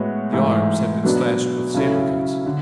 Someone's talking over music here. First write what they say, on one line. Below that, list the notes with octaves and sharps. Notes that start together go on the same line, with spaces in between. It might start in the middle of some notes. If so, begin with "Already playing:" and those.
The arms had been slashed with sabre cuts.
Already playing: A2 G#3 B3 F#4 C#5
G#2 E3 A3
B2 F#3 B3 D4
C#3 F#3 C#4 E4 A4
D3